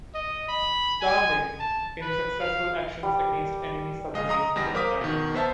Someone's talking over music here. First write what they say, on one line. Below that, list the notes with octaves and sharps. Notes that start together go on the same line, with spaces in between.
"Starling" in successful actions against Enemy submarines in the Atlantic.
D#5
B5
G#5
A5
B4
F5
G3
A#1 G#3 D#5 F5
D#5 A#5 D#6
E2 G3 A#6
A#4 C5 F5 D6 D#6 B6
B2 D#3
B3 C5 E5 A5